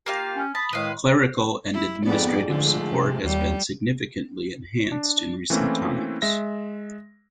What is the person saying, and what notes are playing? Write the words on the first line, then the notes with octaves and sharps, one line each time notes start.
Clerical and administrative support has been significantly enhanced in recent times.
A#3 F4 G4 F5
C#4
A5 B5 D#6
A2 D#3 G#3 B4 F5
E4
F2 G#2 B3 D5
D3 F3 G#3 A3
C3
D#2 G3
D4
E3 A3 A#3 C4 C#4 E4
G#3 E5 A#6